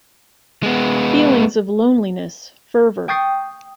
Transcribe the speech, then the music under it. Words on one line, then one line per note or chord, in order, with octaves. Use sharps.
Feelings of loneliness, fervor.
G#3 B3
G5 C#6 D#6 G6 A6 C7